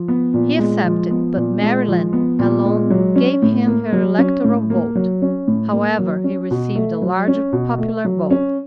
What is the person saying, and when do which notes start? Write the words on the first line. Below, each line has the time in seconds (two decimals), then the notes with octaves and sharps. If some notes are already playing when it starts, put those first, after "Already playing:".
He accepted, but Maryland alone gave him her electoral vote; however, he received a large popular vote.
Already playing: F3
0.08 B3
0.34 A#2
0.59 G#3
0.85 F3
1.11 B3
1.37 A#2
1.61 G#3
1.88 F3
2.13 B3
2.39 A#2
2.65 G#3
2.90 F#3
3.16 C#4
3.42 A2
3.67 A#3
3.93 F#3
4.18 C#4
4.44 A2
4.70 A#3
4.95 F#3
5.22 C#4
5.48 A2
5.73 A#3
5.99 F#3
6.24 C#4
6.51 B2
6.76 A3
7.02 F#3
7.28 C#4
7.53 B2
7.78 A3
8.05 F#3
8.31 C#4